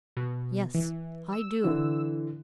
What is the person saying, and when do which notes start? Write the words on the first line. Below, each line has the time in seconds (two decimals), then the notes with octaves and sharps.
"Yes, I do."
0.17 B2
0.74 E3
1.33 E6
1.64 D3 E3